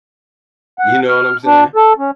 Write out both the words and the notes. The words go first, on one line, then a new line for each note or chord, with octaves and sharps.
you know what I'm saying?
F#5
F6
D4
A4
C#4